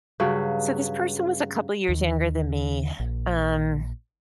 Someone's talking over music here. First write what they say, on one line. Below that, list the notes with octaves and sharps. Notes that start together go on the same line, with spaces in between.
So this person was a couple years younger than me, um,
G2 C#3 F#3
D#2
A#1